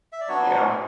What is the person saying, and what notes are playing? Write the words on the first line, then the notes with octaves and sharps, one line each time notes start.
you know,
E5
D5
F#3 B3 D4 F#4 C#5